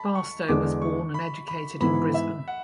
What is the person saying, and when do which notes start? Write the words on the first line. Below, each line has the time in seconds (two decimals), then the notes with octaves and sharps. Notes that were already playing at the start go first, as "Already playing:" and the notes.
Barstow was born and educated in Brisbane.
Already playing: A5 B5
0.15 C#6
0.48 E2 D3 G#3 D6
0.82 C#6
1.14 B5
1.48 B5
1.80 G#2 E3 B3 E4 B5
2.14 E5
2.48 F#5